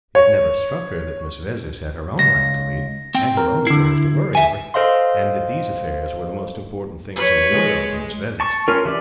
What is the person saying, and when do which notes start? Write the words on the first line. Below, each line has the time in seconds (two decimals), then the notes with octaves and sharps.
It never struck her that Miss Vezzis had her own life to lead and her own affairs to worry over, and that these affairs were the most important things in the world to Miss Vezzis.
0.15 C#5
2.19 C#2 A#6
3.15 C4 G5
3.37 A#4
3.67 D3 E4 C7
4.35 E5 G#5
4.74 A4 C5 D#5 F5 C6
7.17 B4 C#5
7.52 G#3
8.40 A5 C#6
8.68 C#4 F4 A#4
8.85 E3 G4 D5